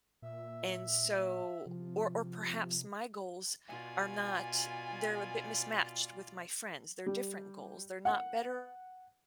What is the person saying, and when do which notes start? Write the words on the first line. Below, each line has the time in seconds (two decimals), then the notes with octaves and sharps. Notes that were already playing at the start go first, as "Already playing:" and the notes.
And so Or or perhaps my goals are not they're a bit mismatched with my friends. They're different goals, they're not better
0.22 A#2 E5
1.66 C3 F3
3.68 B2 F4 D5 G#5
7.06 G3
8.05 F#5